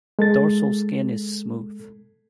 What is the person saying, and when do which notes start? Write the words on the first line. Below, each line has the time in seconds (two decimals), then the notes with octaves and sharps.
Dorsal skin is smooth.
0.19 G#3 A4 A6